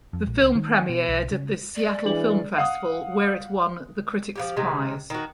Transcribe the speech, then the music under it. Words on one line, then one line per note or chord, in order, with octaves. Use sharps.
The film premiered at the "Seattle Film Festival" where it won the "Critics Prize".
F2
A#1
C#2
D#3
B2
B1
C#3
D5
E3 D4 G#4 F#7
F5 F#5 D#6
F3 F#3 G4
C3 D#3 G#3
D#3 F#4